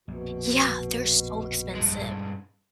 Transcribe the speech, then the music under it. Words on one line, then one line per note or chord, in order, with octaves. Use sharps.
Yeah, they're so expensive.
A#1 F2 B2
G2 G#3